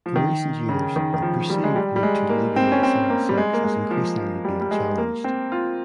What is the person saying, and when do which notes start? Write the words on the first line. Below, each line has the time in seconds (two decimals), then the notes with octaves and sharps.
In recent years, the perceived need to legally assign sex is increasingly being challenged.
0.06 F3
0.16 D#3
0.69 C#3
0.96 D#3
1.14 D#3
1.22 F3
1.50 G3
1.64 G#3
1.76 G3
1.96 G3
2.03 G#3
2.29 A#3
2.56 C4
2.72 C#4
2.83 C4
3.10 A#3
3.29 G3
3.38 G#3
3.53 A#3
3.64 G#3
3.91 F3
4.17 F3
4.45 G3
4.61 G3
4.71 G#3
4.98 A#3
5.24 C4
5.52 F4